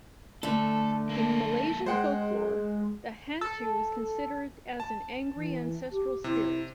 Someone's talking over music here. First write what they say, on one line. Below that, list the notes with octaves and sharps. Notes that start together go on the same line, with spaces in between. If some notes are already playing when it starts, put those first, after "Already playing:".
In Malaysian folklore, the hantu is considered as an angry ancestral spirit.
D3 A3 A4
A#3 A4
G#3 C5 F#5 G5
A4
A5
E3
G4
C3 E4